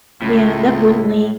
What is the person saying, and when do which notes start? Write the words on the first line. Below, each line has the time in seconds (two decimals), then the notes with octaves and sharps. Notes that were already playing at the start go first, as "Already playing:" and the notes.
Yeah, definitely.
0.22 C#2 A2